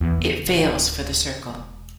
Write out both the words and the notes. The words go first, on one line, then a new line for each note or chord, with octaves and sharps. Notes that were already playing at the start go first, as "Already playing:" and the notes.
It fails for the circle.
E2
C#3
D1
E1